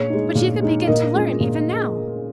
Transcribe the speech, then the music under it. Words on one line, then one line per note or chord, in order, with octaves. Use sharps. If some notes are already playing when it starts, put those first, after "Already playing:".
"But you could begin to learn even now!"
Already playing: A#2 G#4 C#5
G#3 D#4
A#2
G#3 D#4
A#2 A#4 D#5
G#3 C#4 F4
A#2